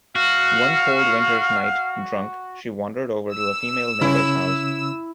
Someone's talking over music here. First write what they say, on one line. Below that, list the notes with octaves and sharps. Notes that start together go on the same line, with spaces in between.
One cold winter's night, drunk, she wandered over to a female neighbour's house.
F#4 F5
E6
C#3 C#4 E4